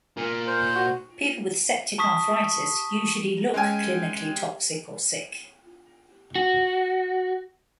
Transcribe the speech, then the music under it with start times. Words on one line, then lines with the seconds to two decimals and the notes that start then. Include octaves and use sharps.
People with septic arthritis usually look clinically toxic or sick.
0.17 A#2 A#4
0.47 C5
0.75 F#4
1.98 A5 C#6 D#6 B6
3.54 G#3 C#4 G5 G#5
6.35 F#4